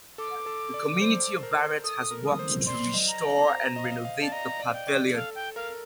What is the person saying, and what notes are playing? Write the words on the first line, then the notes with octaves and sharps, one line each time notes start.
The community of Barrett has worked to restore and renovate the Pavilion.
A4 D6
A4
D5
C5
A#4
A4 D#6
A#4
D#6
C5
D5 C6
D#5
A#5
D5
C5
D#5
F5
D#5
F5
D5 A5
D#5 A#5
D5
F5
G5
D5
A4 F5
G5
A#4 F5